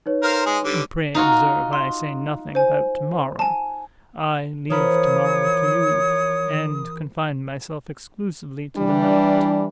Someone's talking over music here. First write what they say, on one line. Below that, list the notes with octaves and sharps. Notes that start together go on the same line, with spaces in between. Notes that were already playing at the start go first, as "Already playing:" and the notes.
Pray observe, I say nothing about to-morrow--I leave to-morrow to you, and confine myself exclusively to the night.
D#4 B4 C#5
A#4 C5 F5
G#3 G#4
D3 G3
D#4 F4 F#4
C6
C5 G#5
G#5 A5
E3 F3 A#4 C#5 B5 D#6
E3 G3 D4